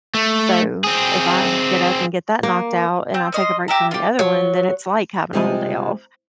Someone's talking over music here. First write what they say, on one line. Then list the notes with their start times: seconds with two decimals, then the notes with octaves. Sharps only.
so if I get up and get that knocked out and I take a break from the other one, then it's like having a whole day off.
0.14 A3
0.84 C4 G#4
2.43 A#3
3.14 C4 G6
3.32 C#4 D#5 C6
3.68 G4 E5 A#5
3.91 F4 G4
4.19 F#3
5.33 C3 G3 G#3 F4 G#4 D#5